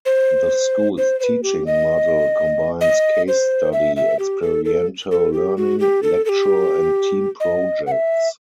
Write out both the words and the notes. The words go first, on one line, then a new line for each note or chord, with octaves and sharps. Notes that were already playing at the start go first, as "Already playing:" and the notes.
The school's teaching model combines case study, experiential learning, lecture and team projects.
C5
C5
C5
B4
G4
D#5
D#5
C5
E5
E5
G4
A4
A4
A4
G4
F#4
G4
A4
A4
G4
D#5
F#5
E5